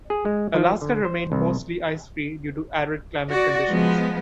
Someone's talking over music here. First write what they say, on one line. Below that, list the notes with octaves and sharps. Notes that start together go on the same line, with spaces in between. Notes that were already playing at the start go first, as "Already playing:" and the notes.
Alaska remained mostly ice free due to arid climate conditions.
G#4
G#3
F3
D3
C5
C2
F#4 D5
F3 G#3 B3